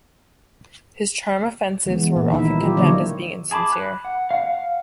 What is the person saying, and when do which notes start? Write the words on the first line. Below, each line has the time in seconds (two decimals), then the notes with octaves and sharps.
His charm offensives were often condemned as being insincere.
1.86 E3 G#3 B3
2.16 A#2
2.31 D#3 D#4 E4 E5
2.60 F#3 F4 G4
2.77 D3 F3 A#3 D4 C#5 D#5
3.51 G#4 A5 B5 D6
3.70 B5 F#6
4.05 F#5
4.31 F5 F#5